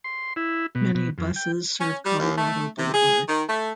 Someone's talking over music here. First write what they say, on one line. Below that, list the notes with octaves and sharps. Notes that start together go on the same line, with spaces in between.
Many buses serve Colorado Boulevard.
C6
E4
B2
B2
F2
G5
C#4
G3
D#2
A3
C3
G#4
D#3
A3